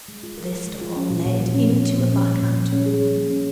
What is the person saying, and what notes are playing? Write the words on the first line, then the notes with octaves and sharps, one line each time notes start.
This door led into a back anteroom.
G#3
F4
A#4
G#3
G#3
F4
C#4
A#2
A#2
F3
C#4
A#2
A#2
F3
C#4
A#2
A#2
F3
C#4
G#4
A#2
A#3
C#4